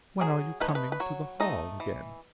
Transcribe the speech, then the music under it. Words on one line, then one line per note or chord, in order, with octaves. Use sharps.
'When are you coming to the hall again?'
F#3 G#4
A3 D#4 B4
C#5
B4
B4
F#3 C#5
A3 D#4 D#5
E3